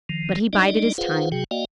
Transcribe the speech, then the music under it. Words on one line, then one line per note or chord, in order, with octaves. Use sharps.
But he bided his time.
D#3 F3
G3 D4 D#4 D5 D#5
F4 G#4 B4 C5 F5 F#5
C3 F#3 F#4 G#4 G5
A#3 F#4 D5 D#5 F5 G5